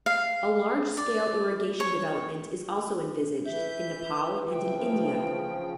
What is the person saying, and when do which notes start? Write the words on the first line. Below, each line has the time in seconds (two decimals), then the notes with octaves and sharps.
A large-scale irrigation development is also envisaged- in Nepal and in India.
0.06 F5
0.97 D5
1.80 C#5
3.45 E3 E5 G6
4.51 C#3 F3 G5